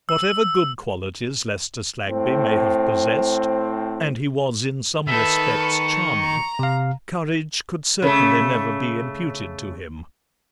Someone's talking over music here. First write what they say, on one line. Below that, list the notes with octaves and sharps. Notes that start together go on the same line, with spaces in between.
Whatever good qualities Lester Slaggby may have possessed, and he was in some respects charming, courage could certainly never be imputed to him.
E6
A2 C4
D#3 A4 B4 E5
C#6
A#5
C3 F5
C#3 A3